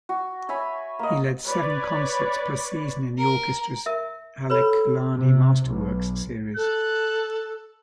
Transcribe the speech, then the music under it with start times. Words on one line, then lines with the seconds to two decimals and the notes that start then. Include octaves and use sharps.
He led seven concerts per season in the orchestra's Halekulani Masterworks series.
0.09 F#4
0.49 C#5 E5 G#5 B5
0.99 A#3 D#5
1.44 B4 C#5 D5
3.18 A#4
3.86 A#4 E5
4.50 A4 B4 C#5 B5
5.15 C3
5.66 B1
6.56 A4 F#6